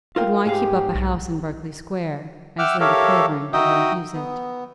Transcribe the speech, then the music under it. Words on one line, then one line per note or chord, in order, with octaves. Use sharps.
But why keep up a house in Berkeley Square, as Lady Clavering did not use it?
F4 A#4 F5 G5
G#2 G4 G#4 F5
B1
E5 F#5 G5 D6 E6 F6
G4 A4 A#4 C#5 E5 F5
D#4 F#4 D#5 E5 G5 D#6
B3